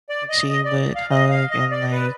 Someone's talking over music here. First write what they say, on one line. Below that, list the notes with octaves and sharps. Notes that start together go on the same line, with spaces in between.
like, she would hug and, like,
D5
D#5
D#5
D5
F5
D#5
F5
D#5
D5
B4